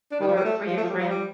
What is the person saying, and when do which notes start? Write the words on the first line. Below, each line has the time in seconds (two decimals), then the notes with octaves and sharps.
for for your friend.
0.12 D4
0.21 D#3
0.28 F3
0.36 G3
0.45 A3
0.67 F3
0.77 A3
0.83 F3
0.89 G3
1.00 F3
1.10 G3